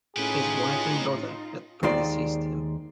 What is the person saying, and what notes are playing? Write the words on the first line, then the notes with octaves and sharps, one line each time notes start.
His wife and daughter had predeceased him.
A2 C#4 D#4 F4 G4 G#4 B4
D#2 D#3 G#3 C5 D5